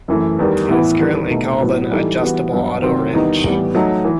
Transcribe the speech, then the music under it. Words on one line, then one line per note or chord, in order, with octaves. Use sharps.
It is currently called an "Adjustable Auto Wrench".
F#2 E3 A3
E2 D#3 G3
A2 E3 B3 E4
E2 D#3 G3
B2 A3 D#4
A2 F#3 B3 F#4
E3 G3 D#4 A4
E3 G3 B3 F#4 B4
G2 F#3 B3
C3 D#3 F#3 C4
E2 D#3 G3 B3 D#4
A2 E3 G3 B3
F#3 A3 D#4
E3